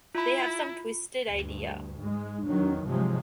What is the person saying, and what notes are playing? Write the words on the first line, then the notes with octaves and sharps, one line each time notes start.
They have some twisted idea.
E4 F4 B5
D2 G2
G#2 G#3
E2 D#3 F#3
G#2 C3 F3 F#3 G#3